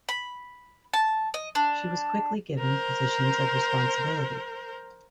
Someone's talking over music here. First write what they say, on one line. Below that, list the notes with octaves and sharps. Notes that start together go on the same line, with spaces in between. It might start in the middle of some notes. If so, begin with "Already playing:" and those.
She was quickly given positions of responsibility.
B5
A5
D#5
D4
A#4 C5